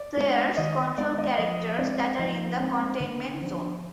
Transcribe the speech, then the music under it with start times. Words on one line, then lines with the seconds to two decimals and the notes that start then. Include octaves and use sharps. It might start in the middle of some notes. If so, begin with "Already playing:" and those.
Players control characters that are in the Containment Zone.
Already playing: D5
0.17 G#3 B3 D4
0.57 D#3 D#5
0.98 G#3 B3 D4 D5
1.18 D#5
1.38 F3 D#5
1.78 G#3 C4 D5
2.19 F3 D#4
2.60 G#3 C4
3.00 D3
3.41 F3 B3 D4